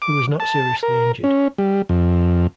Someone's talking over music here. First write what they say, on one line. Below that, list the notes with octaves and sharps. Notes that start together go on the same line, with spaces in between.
He was not seriously injured.
D6
A5
A#4
C#4
G3
F2